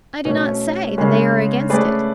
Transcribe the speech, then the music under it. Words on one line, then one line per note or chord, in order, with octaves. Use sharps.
I do not say that they are against it.
B2 A3 C#4
C#3 G#3 C#4
A3 C#4 G#4 B4 D5